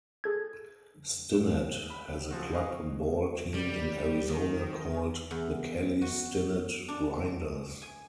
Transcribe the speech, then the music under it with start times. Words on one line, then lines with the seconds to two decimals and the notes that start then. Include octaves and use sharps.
Stinnett has a club ball team in Arizona called "The Kelly Stinnett Grinders".
0.24 G#4 A4 G#6
1.90 B5
2.31 C#3 F3 C4 F#4
2.54 B4 D#5 F5 G#5 C#6 D#6
3.54 G3
4.30 D#3
5.31 E2
6.02 F#4
6.88 D4
7.82 G#5